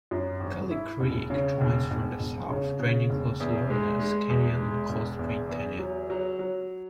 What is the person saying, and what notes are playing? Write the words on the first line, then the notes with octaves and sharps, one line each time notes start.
Kelly Creek joins from the south, draining Los Laureles Canyon and Cold Spring Canyon.
F#2
G#1
E4
E1
C#3
E1
E1
E1
C#3
C#3
E1
E2
G#3
G#3
E2
G#3
E1
E2
E2
F#3
F#3
F#3